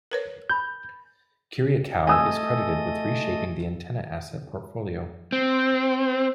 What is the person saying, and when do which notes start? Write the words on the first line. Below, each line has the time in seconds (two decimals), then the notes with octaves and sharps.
Kyriakou is credited with reshaping the Antenna asset portfolio.
0.11 A#4 B4 C#5
0.50 G#5 B5 G6
2.07 A3 D#5 G#5 D#6 E6
5.32 C4